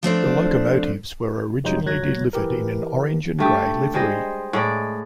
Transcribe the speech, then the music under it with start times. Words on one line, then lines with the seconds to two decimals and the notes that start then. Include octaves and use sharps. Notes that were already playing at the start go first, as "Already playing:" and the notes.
The locomotives were originally delivered in an orange and grey livery.
0.03 F3 A3 C4 D4
1.64 F2 C3 F#3 G#3 D#4 G6
1.85 G1 C#2 F#3 F#6 G#6 A#6
2.33 E3 G4 A#4
3.39 G2 A3 G4
3.94 G3 G#3 C5 D#5
4.53 A2 G#3 D5